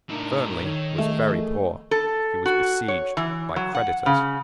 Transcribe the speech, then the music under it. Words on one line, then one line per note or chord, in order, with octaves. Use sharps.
Fernley was very poor. He was besieged by creditors.
A2 A3 D4 D#4 A#4
D#3 D#4 A4 C#5
A3 G#4 A#4 D#5
A4
F#4
C#5
E3
F#3
F#5
C#3